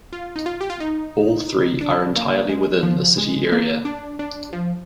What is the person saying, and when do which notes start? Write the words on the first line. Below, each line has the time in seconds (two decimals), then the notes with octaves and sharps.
All three are entirely within the city area.
0.13 F4
0.36 D#4
0.46 F4
0.61 G4
0.70 F4
0.80 D#4
1.81 D4
2.16 A#3
2.49 G#3
2.83 F3
3.18 G#3
3.52 A#3
3.85 D4
4.19 D4
4.53 F3